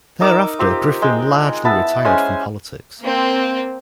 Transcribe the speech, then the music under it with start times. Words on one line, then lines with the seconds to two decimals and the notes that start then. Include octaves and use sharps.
Thereafter, Griffin largely retired from politics.
0.21 D#4 A#4 D6 E6
0.59 C4 F4 G4
1.02 G#3 G5
1.65 B3 E4 A5
2.05 G#3 C#4 C5 G#5
3.02 A#3 C4